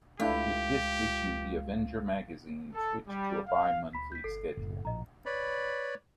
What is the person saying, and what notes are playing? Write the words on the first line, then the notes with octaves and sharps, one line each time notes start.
With this issue, The Avenger magazine switched to a bi-monthly schedule.
C#2 A3 D4 E4 F4 G4
A4
G3
F5
D2 B5 B6
G6 B6
G1 A4 C7
F#1 A2
A#1 D#5 A#5
B4 C#5 D5 B5